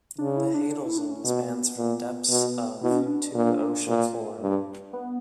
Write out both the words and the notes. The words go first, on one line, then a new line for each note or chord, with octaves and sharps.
The hadal zone spans from depths of to the ocean floor.
C#3 D4
E4
D4
D4
E4
D4
C#4
B2 B3
A#2
B2
B2 E4
D4
C#4
D4
A#2
A#2
G2
B3